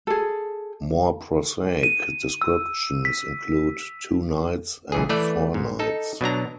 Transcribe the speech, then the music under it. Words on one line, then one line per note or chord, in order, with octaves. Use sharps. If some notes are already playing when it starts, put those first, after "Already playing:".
More prosaic descriptions include Two Knights and Four Knights.
G#4 A4
D#7
E6
B6
B1 E3 G#4
E3 A3 B4 D5
G#2
D#4 A4
B2 F#3 D4 A#5